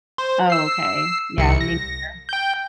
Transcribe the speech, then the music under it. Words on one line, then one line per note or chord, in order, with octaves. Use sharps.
Oh, okay. Yeah. Mean girl.
C5
E6 C7
C2 C#7
A#6
G5 G6